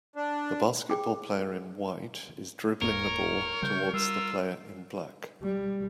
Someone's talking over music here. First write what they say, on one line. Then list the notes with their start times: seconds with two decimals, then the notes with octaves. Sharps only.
The basketball player in white is dribbling the ball towards the player in black.
0.16 D4
0.90 G#4 G5 D6
2.82 D#1 G#2 A#3 A#4 C#5
3.62 C#3 G3 G6
3.93 G3 F4 E6
5.43 G3